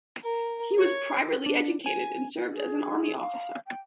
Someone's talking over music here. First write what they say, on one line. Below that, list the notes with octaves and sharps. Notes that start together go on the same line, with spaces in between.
He was privately educated and served as an army officer.
A#4
C#5
D4
G#5
G#4
F5
G5